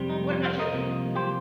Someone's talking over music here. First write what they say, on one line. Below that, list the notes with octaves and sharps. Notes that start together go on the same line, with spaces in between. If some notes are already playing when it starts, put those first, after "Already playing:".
What about you? Mhm.
Already playing: F2 C3 G3 C4
D#4
F4
C5 F5
A#4 D#5
C2 C3 F3 A#3
G4 C5